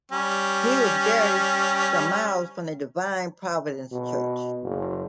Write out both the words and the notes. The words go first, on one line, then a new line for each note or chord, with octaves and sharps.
He was buried some miles from the Divine Providence Church.
G3 C#4
B2
F#1